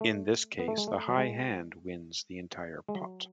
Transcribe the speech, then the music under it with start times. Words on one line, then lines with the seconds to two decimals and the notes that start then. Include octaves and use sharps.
In this case, the high hand wins the entire pot.
0.01 A3
0.59 B3
0.68 A3
0.77 G#3
0.87 A3
1.08 F#3
1.18 G#3
2.89 G#3
2.95 F#3